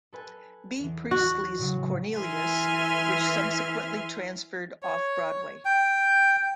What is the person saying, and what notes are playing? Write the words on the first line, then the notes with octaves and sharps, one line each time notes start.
B. Priestley's "Cornelius" which subsequently transferred Off-Broadway.
A4 B4 G#5
E2 E3
F#4
A2 C#3 F#3
E3 E5 G#5 C6 F6
C#5
G5